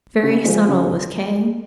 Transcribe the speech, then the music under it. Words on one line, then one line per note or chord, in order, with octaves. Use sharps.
Very subtle was Kay.
C#3
F3 G#3
C#3